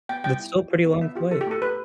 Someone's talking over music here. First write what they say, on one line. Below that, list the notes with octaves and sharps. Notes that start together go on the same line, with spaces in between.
That's still a pretty long flight.
B3 G5
G3 G5
E4
G4
F4
B3
B3 E5
F4 G4
E4 A4
G4
A3 A4
G4 B4